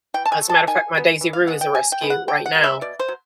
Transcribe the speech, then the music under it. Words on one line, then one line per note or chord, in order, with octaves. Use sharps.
As a matter of fact, my Daisy Rue is a rescue right now,
E3 G5
A5
G#5
A3
A5
D#3 G#5
F#3 B3
E3
F5
G#3 B3 F#5
G5
C3 G#5
G5
D#3 G#3 B3
F#5
D3 G5
F#5
G3 B3
E5
B2 D5
C5
F#3